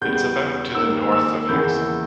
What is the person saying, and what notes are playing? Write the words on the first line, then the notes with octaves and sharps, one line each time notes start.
It is about to the north of Hexham.
E2 C#3 G3 B3 G6
D#2 D#3 A#3 E6
E6
E2 C#3 E3 A#3 G6